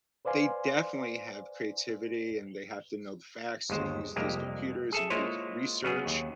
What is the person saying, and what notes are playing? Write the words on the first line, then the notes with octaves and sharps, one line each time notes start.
they definitely have creativity and they have to know the facts to use these computers and do research.
B4 C5 D5 F5 G#5 C6
G1 D#2 G#3 C5
C2 F2 G#3 A#3 G4
G#4 A4 E5
G#3 A#3 E4 F4 C5 C#5
C#3 F#3 B3 G#4
D#2